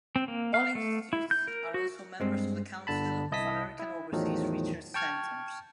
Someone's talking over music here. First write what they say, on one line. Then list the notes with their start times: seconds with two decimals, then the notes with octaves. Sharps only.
All institutes are also members of the Council of American Overseas Research Centers.
0.16 C4
0.28 A#3
0.54 F5
0.75 A3
1.13 E4
1.31 G6
1.48 A#4
1.74 F#4
2.20 G2 G#3 C4
2.87 G1 D3 A5 B5
3.31 C2 E4 D#5 A5 D#6 B6
3.79 E4
4.12 E2 A2 D#3 F3 F#3
4.94 G5 A5 C#6 F6 G#6